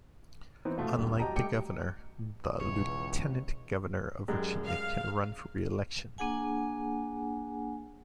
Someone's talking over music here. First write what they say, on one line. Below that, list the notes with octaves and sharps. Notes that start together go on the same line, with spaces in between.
Unlike the governor, the Lieutenant Governor of Virginia can run for re-election.
E3 B3 C4 D#4
B2 A3 F4
D1 G2
F#4 G4 D#5 G5 A5 A#5
G3 A3 G5 D6 C#7
E1 C#2 B2 E3 C#5
F#2 G3 G#3
F5
A#3 D4 G#4 F#5 G#5